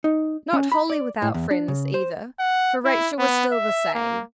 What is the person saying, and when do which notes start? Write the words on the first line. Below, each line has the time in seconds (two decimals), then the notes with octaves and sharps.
Not wholly without friends, either, for Rachel was still the same.
0.04 D#4
0.53 C#4
0.72 B5
0.90 D5
1.22 A2
1.34 E2
1.51 D4
1.68 C#3
1.94 C5
2.39 F#5
2.85 E4
3.19 B3
3.52 E5
3.95 A#3